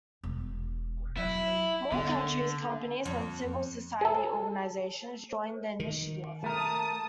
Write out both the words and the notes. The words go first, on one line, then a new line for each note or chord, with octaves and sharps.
More countries, companies and civil-society organisations joined the initiative.
E1
F#3 E4
D3 B3
F2
G#4 A4
D#3
A3 A#4 A5 D#6